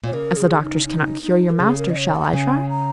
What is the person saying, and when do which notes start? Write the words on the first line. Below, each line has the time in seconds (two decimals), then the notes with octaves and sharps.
As the doctors cannot cure your master shall I try?'
0.04 A#2 C#5
0.13 C#3 A#4
0.37 G#4
0.62 D#4
0.86 D#4
1.23 D#4
1.50 A#4
1.59 C#3 G#4
1.78 A#4
1.89 D#5
1.97 C#5
2.15 F#5
2.25 A#5
2.33 C#3 G#5
2.69 A#5